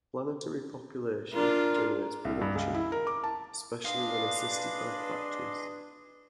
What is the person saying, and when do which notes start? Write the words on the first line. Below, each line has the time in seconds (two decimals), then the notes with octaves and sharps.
Planetary population generates production, especially when assisted by factories.
1.34 D4 F4 A#4
2.25 C2
2.41 G2
2.55 C#2
2.74 E4
2.92 A#4
3.07 D6
3.24 A5
3.85 D4 G#4 B4 D#5 F5 C6